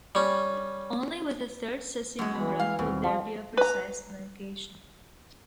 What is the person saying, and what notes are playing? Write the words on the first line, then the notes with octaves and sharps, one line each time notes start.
Only with a third seismograph would there be a precise location.
G3 C#4
F#2 G#3
E3 F#3 B3 B5
G#3 F5
D#2 B2 G3 C4
F3
B4 A#5